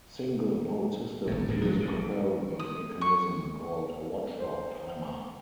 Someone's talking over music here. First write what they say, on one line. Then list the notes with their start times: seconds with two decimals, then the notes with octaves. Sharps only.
Single node systems use a comparable mechanism called a watchdog timer.
1.27 G1 A2
1.48 D1 D2 G#2 B2
1.65 F3 G#3 A3 C4
1.80 A1 A#2 C#3
2.59 D#6
3.01 C#6
4.40 C5